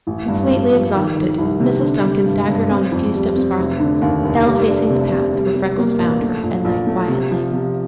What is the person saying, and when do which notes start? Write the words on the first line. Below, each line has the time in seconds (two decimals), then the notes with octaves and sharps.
Completely exhausted, Mrs. Duncan staggered on a few steps farther, fell facing the path, where Freckles found her, and lay quietly.
0.07 A1
0.28 G2
0.51 G2
0.72 F3
0.95 D#3
1.17 D#3
1.38 C2
1.60 C3
1.82 D3
2.04 G3
2.26 G2
2.48 G2
2.70 C4
2.92 F2
3.14 G3
3.36 C4
3.58 F1
3.80 D3
4.02 D#2
4.24 F1
4.45 G3
4.68 D4
4.90 C3
5.11 C3
5.33 G3
5.55 G3
5.77 A#3
5.99 A#1
6.20 A3
6.43 A#1
6.65 A#1
6.87 A3
7.08 C3
7.31 F3
7.52 C3